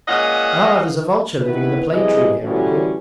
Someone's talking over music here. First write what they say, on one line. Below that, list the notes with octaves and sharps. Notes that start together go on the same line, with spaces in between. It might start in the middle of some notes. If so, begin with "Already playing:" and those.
'Ah, there's a vulture living in the plane tree here, Uncle.
A#2 G#3 C#4 D#5 F5 F#5
D#3 E3 B3 E4 B4
C3 E3 G3 G#3 G#4 D#5
A2 D3 E3 G3 C#4 F#4